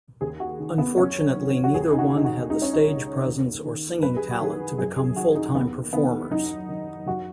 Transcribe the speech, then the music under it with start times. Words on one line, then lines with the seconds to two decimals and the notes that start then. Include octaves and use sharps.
Unfortunately neither one had the stage presence or singing talent to become full-time performers.
0.21 D#2 G#4
0.40 F#4
0.60 D#3
0.78 B3
0.98 F#2 C#4
1.36 D#3
1.64 F#4
1.74 D#2 G#4
1.93 D#4
1.99 F#4
2.12 C#3
2.17 D#4
2.25 F#4
2.50 C#2 D#4
2.62 C#4
2.73 D#4
2.88 C#3
3.27 D#2
3.65 D#3
4.02 F#2 B4
4.16 G#4
4.31 F#4
4.41 D#3 G#4
4.78 F#2 G#4
4.97 G#4
5.16 D#3 F#4
5.35 D#4
5.55 D#2 B3
5.93 D#3 B3
6.31 F#2 D#4
6.69 D#3
7.06 F#2 F#4